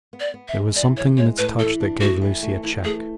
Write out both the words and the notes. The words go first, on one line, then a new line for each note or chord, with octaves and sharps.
There was something in its touch that gave Lucie a check.
B3
D5
B3
E5
G#3
E3 D5
E3 C#5
G#3 C#5
A2 B4
E3 A4
D4
A3 F#4
E3
A3
E3 E4
A3 G#4